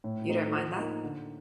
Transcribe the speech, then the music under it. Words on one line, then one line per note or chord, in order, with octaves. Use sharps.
You don't mind that?
A2
A3 C4 D#4
F3
A#3 D#4
D3